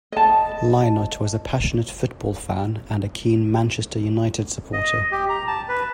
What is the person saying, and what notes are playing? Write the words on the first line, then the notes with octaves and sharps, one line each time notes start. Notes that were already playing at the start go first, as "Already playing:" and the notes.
Lynott was a passionate football fan, and a keen Manchester United supporter.
D#5 A5
D#5
G4
A#5
A5
B4